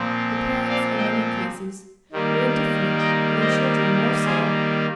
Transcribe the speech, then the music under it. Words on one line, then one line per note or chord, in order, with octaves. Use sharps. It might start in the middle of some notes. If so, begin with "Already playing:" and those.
The parents, in many cases, were indifferent, and the children more so.
Already playing: A#2 F3 C4
D5 F5
D#5 G5
D#3 G3 A#3
D#5 G5
C5 D#5
G#4 C5